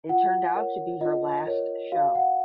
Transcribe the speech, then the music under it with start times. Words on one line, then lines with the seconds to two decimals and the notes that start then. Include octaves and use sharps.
It turned out to be her last show.
0.09 F4 F#5
0.55 A#4 C#5
1.01 F4 D#5
1.47 A#4 C#5
1.92 F#4 F5
2.15 F#5